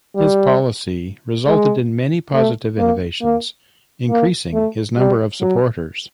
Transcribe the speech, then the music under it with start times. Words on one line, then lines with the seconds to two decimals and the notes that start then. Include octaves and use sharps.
His policy resulted in many positive innovations, increasing his number of supporters.
0.16 G3
1.47 G#3
2.34 A3
2.78 A#3
3.22 A#3
4.10 A#3
4.53 A3
4.98 G3
5.41 F#3